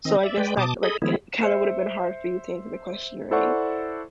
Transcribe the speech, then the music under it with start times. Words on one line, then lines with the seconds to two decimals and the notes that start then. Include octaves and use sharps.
So, I guess that, like, it kinda would've been hard for you to answer the question, right?
0.05 D#3 C4 D#5
0.23 D5 E5
0.38 G#3 B4 D5 G5
0.57 B2 A5 D6 D#6
0.83 G#4 A4 D#5 B5 D#6
1.02 D#3 F3 G#3 B3 E4
1.42 C5 E5 C#7
3.31 E4 A4 C5 D5 F#5 C#6